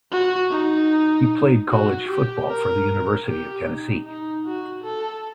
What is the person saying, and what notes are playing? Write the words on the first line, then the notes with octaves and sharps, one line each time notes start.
He played college football for the University of Tennessee.
F#4
D#4
F#4
G4
A#4
G4
D#4
D#4
F#4
A4